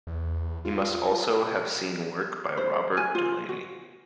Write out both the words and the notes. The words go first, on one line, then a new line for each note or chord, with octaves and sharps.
He must also have seen work by Robert Delaunay.
E2
F4
C5
G#5
F4
F#4